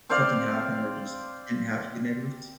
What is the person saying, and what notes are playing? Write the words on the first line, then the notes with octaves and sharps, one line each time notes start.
something happen where you just didn't have good neighbors?
C4 C5 D5 F5